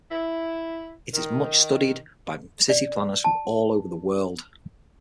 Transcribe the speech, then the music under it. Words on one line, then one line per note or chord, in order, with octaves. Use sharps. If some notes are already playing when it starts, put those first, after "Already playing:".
It is much studied by city planners from all over the world.
E4
D#3
D5
A5